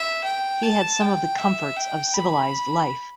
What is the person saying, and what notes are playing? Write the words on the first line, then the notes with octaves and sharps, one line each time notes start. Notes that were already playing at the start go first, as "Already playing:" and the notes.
He had some of the comforts of civilized life.
Already playing: E5
G5
A5
G5
E5
G5
B5